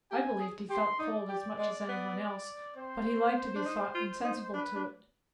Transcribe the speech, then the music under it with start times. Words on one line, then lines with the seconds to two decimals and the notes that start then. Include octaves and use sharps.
I believed he felt cold as much as any one else, but he liked to be thought insensible to it.
0.11 G4 G#5
0.40 G#4
0.70 G4 C6
0.99 D#4 D5
1.29 G4
1.59 G#3
1.89 B3
2.76 C4 C5
3.56 D4
3.66 D#4
3.95 F4
4.24 D#4
4.53 D4 B4
4.76 D4